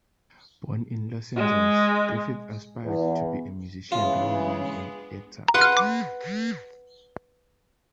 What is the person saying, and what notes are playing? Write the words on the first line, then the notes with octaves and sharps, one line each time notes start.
Born in Los Angeles, Griffith aspired to be a musician rather than an actor.
G#3
E2
C#3 E3 G#3 B3 D4 F4
B4 F#5 C6